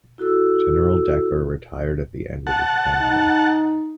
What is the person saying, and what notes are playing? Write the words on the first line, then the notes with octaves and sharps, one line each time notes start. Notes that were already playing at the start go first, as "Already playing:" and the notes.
General Decker retired at the end of his tenure.
E4 F#4 A4 E6
F#5 A5
D#4